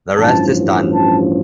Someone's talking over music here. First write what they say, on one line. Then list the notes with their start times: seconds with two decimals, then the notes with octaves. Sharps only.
The rest is done.
0.17 A1 G2 F3 C#4 A5
0.95 A5